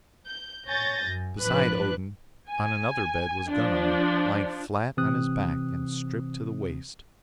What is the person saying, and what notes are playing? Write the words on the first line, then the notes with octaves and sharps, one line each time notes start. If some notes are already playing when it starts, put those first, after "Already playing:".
Beside Odin on another bed was Gunnar, lying flat on his back and stripped to the waist.
G6
C#5 G#5 G6 A6 A#6
F#2
A1 F3 D4 B4 F#6
G#5
F3 D4
C3 E3 C4 D#6 F#6